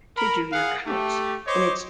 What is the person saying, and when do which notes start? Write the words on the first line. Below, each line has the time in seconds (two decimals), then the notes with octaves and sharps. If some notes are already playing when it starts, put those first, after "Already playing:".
to do your counts. And it's
0.17 A#4 B5
0.53 G#4 F5 F#5
0.87 A3 G4
1.46 C5 C#5 D#5 D6